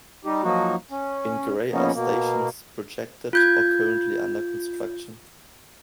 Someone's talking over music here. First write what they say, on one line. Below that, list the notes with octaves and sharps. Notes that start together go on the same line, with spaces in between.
In grey are stations projected or currently under construction.
G3 D#4 G4
F3 F#3 A#3 D#4 F#4
C#4
C#3 F3 A#3 B3 C#4 D#4
B2 A#3
F4 G6 G#6